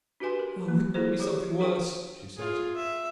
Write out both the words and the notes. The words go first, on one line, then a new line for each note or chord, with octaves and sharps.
'Oh, it will be something worse,' she said.
D4 F#4 G4 B4 G#5 C6
A#4
A#3
A#3 E4 G#4 A4 C5
G4 G#4 C#5
D4 G#4 A#4 G5
F4 G#4
E5